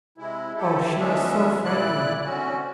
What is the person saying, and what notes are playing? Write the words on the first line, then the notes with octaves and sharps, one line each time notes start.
Oh, she was so frightened!
C3 G#3 E4
E4 G4 A4
G#3 B3 C#4 D4 E5
A#2 C#3 E4 D5 F#6
D3 C4 C#4 F#4